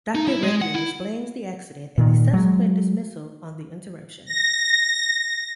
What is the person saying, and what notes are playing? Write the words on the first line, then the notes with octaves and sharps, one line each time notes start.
Doctor Regulus blames the accident, and his subsequent dismissal, on the interruption.
D#4
E4
G#3
F#5
E4
A#2 D#3
F#3 G#3
A#6